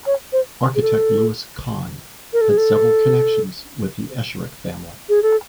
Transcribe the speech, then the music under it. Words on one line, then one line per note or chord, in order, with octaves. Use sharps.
Architect Louis Kahn had several connections with the Esherick family.
C#5
C5
G#4
A4
A#4
A4
G#4
A4
G#4
A4